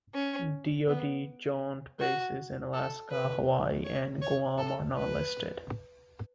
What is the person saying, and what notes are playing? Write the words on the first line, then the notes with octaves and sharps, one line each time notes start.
DoD Joint Bases in Alaska, Hawaii and Guam are not listed.
C#4
B3
F#4
A4
B4
C#5
C#5
A4
B4